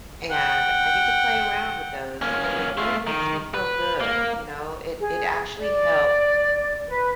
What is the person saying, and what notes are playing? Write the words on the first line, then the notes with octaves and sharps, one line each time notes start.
And I get to play around with those, and it really makes me feel good, you know? It it actually helped.
F#5 G5
A#3 C#4
A3 F4
D#3
B4
A#3
G#4
D5
B4